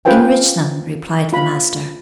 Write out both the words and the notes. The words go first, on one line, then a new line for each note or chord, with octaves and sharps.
"Enrich them," replied the Master.
C#4 F4 B4 C5 G5 G#5
F4 B5